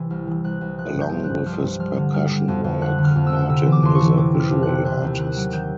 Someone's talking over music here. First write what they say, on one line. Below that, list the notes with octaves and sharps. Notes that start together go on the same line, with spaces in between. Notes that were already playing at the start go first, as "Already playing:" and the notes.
Along with his percussion work, Martin is a visual artist.
Already playing: C3 E3
C2 F6
E3
C2 F#6
C2
F3 F#6
G2
G6
F3
F#6
G2
F3 F6
G2
F3 F6
D3
G3 F6
D3
F2
F2
D3 F#6
D3
F6
F2
E6
D3
C3 E6
E3
D6
F2 C6
C#6
E3
C3 D6
C3
F6
F2
F#6
C3
E1 F#6
D#2
D#3 F#6
F#3
D#3 G6